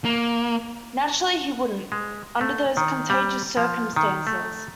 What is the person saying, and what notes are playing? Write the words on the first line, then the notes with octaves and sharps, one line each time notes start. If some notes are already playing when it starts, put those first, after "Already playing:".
Naturally he wouldn't, under those contagious circumstances.
A#3
G#3
A3
D#3
G3
F3
D#3
A3